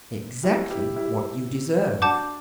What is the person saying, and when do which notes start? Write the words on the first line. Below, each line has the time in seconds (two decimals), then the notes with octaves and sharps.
Exactly what you deserve.
0.43 E4 G4
0.70 E4 G4
0.96 E4 G4
2.02 D4 F#4 F#5 A5 D6 G6